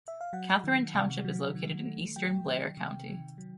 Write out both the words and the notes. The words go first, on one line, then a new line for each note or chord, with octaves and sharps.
Catharine Township is located in eastern Blair County.
E5
F5
F#3 F#5
D#3
C3
F#3
D#3
A3
F#3 G5
D#3
C3
D#3
F#3